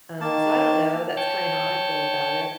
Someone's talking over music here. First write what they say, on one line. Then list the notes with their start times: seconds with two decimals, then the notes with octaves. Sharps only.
Um, so, I don't know, that's kind of how I feel about it,
0.21 D#3 A#3 A5
1.17 C#5 G5 A5